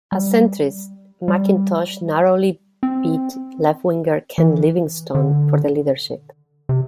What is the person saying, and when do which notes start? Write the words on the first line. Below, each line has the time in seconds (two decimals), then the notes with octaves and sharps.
A centrist, McIntosh narrowly beat left-winger Ken Livingstone for the leadership.
0.12 G3
1.28 G3
2.83 C4
4.38 E3
5.15 D3
6.69 C3